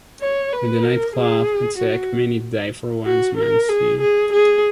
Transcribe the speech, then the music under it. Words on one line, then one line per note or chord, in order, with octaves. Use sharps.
In the nightclub attack, many die for one man’s sin.
C#5
B4
A#4
G#4
F#4
F#4
A#4
G#4
G#4
G#4